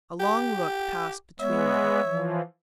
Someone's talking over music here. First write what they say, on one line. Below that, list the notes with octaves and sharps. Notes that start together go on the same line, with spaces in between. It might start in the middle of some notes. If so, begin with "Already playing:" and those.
A long look passed between them.
G4
G#3 B3 C#5 E5
E3 F3